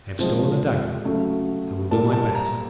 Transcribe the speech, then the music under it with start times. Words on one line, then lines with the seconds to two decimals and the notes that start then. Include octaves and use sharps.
I have stolen a dagger--I will do my best!
0.19 C3 F3 G#3
1.05 C#3 F#3 A3
1.91 A#2 G3 A#3 A5
2.13 A5
2.35 A#5